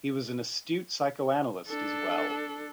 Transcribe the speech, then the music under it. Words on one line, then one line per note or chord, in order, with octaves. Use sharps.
He was an astute psychoanalyst as well.
D4 A4